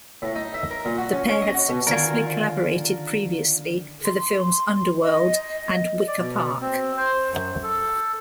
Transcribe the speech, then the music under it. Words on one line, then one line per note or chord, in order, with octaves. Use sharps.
The pair had successfully collaborated previously for the films "Underworld" and "Wicker Park".
A2
D#4
E5
A#4
A#2
F#4
C#4
C#4
D#5
F#4
B2
D3 D#3 F4 A#4 G#5
C6
D#5
D5
B2
C4
C5
F#2
A4